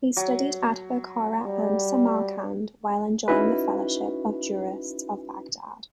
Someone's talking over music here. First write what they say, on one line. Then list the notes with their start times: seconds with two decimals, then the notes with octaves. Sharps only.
He studied at Bukhara and Samarkand while enjoying the fellowship of jurists of Baghdad.
0.17 F#3
1.47 G3
3.28 C#4 D#4 E4 F#4 B4